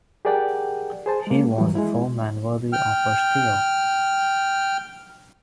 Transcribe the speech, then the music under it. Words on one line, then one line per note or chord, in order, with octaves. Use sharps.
He was a foeman worthy of her steel.
G4 G#4 A#4 D5 F#5 G5
G#4 C5 A5
G#3 A#3
F#2 E3 F#3 G3
G#3 E4
G5 F6